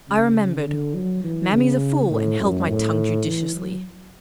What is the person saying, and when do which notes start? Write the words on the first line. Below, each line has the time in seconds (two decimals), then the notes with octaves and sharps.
I remembered 'Marmy's a fool,' and held my tongue judiciously.
0.08 C#3
0.66 D3
0.95 F#3
1.24 E3
1.53 C#3
2.10 A2
2.40 F#2
2.68 A2
3.26 E3
3.56 F#3